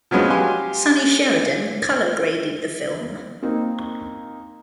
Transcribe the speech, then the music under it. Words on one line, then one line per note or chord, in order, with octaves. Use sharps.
Sonny Sheridan colour graded the film.
F3 F#3 G#3 B3 C#4
G4 F5 G#5 C6
A#3 C4 D#4